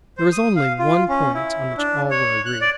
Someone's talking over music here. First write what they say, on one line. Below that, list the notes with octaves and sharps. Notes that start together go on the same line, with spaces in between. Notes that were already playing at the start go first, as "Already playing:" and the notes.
There was only one point on which all were agreed.
C5
D#6
F5
F4
C#4
E4
D4
C#5
F#6
D5